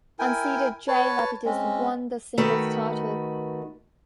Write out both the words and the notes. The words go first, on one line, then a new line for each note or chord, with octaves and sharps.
Unseeded Jay Lapidus won the singles title.
E4 A#4 G5 G#5
B4 C#5 A5
G#3 C4 C#4
D#3 A3 F#4 B4